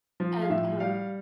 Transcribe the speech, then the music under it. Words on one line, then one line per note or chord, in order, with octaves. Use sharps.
And, um,
F3
F5
A2 E5
G3 F5